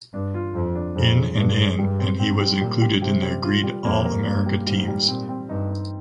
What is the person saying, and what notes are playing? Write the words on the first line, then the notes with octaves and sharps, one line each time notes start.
In and in and he was included in the agreed All-America teams.
G2 D4
F4
F2 F4
D4
F2 G#3
G#3
G2 G#3
G#3
G2 G3
C4
G#2 C4
G3
A#2 G4
G4
C3 G4
G3
F4
G3
F2 A#3
A#4
G2 A#3
G3
G#2 G3
G3
A#2 C4
C4
G2 D#4
D#4